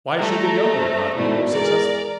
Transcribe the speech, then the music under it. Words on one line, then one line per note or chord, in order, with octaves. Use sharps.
Why should the younger not be more successful?
G3 A3 A#5
C#3 C5
G#2 B2 D#3 A3 E4 D5
E2 G#4 A#4 D5